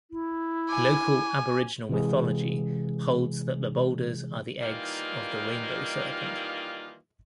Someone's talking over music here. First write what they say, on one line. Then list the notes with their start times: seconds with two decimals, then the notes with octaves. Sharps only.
Local Aboriginal mythology holds that the boulders are the eggs of the Rainbow Serpent.
0.11 E4
0.69 G#5 D6
1.89 C3 E3 G#3 G#4
4.61 D#3 E3 G3 A#3 D#4 F4